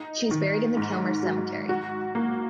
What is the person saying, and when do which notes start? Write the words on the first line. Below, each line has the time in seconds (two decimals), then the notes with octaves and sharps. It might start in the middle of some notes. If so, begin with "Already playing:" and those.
She is buried in the Kilmuir Cemetery.
Already playing: D#4
0.31 D#3
0.77 G#2
1.23 F#3
1.69 F#4
2.15 A#3